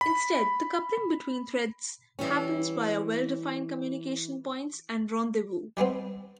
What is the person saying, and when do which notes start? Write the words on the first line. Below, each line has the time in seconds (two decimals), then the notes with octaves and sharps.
Instead, the coupling between threads happens via well-defined communication points and rendezvous.
0.01 B5
2.19 E3 G3 C#4
5.77 G3 G#3 B3 C4